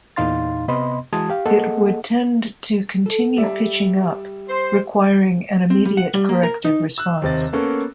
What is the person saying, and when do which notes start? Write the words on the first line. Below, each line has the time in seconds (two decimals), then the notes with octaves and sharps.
It would tend to continue pitching up, requiring an immediate corrective response.
0.16 E2 A#2 D#4 F5 C6 A6
0.68 C3 B3 D#5 B5 C6
1.13 E3 G#3 F#4 A5 D#6 G#6
1.30 G4 F5
1.46 A#3 G#4 A4 D#5 F#5
3.06 A4
3.37 G3 D5 E5
4.49 C5
5.70 C4
5.85 G3
5.97 F#5
6.14 G3
6.29 A#3
6.43 A#4
6.65 D#4
6.98 E6 F#6
7.22 D#2 C3 C4 D#5 A6
7.53 A#3 B3 C#4 A4 A#4